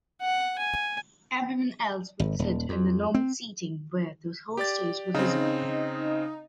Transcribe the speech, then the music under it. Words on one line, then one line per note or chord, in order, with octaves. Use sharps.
Everyone else would sit in the normal seating where the whole stage was visible.
F#5
G#5
G#1
D#1
F2
C4
G4 D5 A6
C#3 C4 D#4